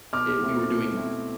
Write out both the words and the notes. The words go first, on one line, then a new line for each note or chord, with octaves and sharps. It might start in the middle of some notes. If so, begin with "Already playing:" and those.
i we were doing
B2 D6 F6
A3 C4 E4
B2
A3 C4 E4